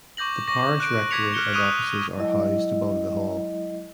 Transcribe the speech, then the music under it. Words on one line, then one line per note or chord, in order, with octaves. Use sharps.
The parish rectory and offices are housed above the hall.
C#6 D6 G6 A#6 F#7
C#6 D6 A#6
F#6 D7
C#6 D6 G#6 B6 C#7 F7
F6 F#6 C#7 G7
C#6 D#6 F#6 D7 D#7 F7
F#3 G#3 E4 D#5